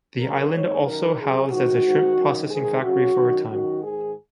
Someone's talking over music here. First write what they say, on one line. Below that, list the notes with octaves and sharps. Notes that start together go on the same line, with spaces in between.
The island also housed as a shrimp processing factory for a time.
F#2 C#3 A#4
G#2 D#3 C#5
F#2 D#3 A#4
F#2 C#3 G#4
G#2 D#3 F#4
G#2 D#3
F#2 D#3
G#2 D#3 G#4
F#2 C#3 F#4
F#2 D#3
F#2 D#3 F#4
G#2 D#3 G#4